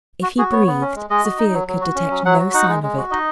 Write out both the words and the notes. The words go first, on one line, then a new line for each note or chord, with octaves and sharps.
If he breathed, Sofia could detect no sign of it.
F#4
F#4 G#4
B3 C#5
B3
C#4
G#3
G#3 D#5
F#4
D#4
F#3
F#3
F#4
C#4
F#3
F#3 F#5
F#4
D#4 F#5
G#3
G#3
F#4
D#4 D#5